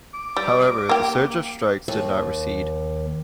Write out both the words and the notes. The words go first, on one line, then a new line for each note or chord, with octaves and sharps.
However, the surge of strikes did not recede.
D6
G3
A#3 G4
D#2